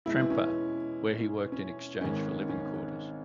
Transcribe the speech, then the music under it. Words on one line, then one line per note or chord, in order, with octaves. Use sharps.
Tremper, where he worked in exchange for living quarters.
E2 B2 G#3 E4
C#4
C#4
G#1 G#2 D#3 G#3 C#4
C#4